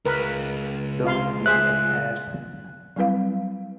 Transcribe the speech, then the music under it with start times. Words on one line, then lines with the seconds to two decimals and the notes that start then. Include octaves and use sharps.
Don't be an ass.
0.05 C#2 A#4 B4
1.04 F4 F5 C6
1.46 G#4 C5 E5 F#6
2.96 F#3 G3 C4 E4 B4 F5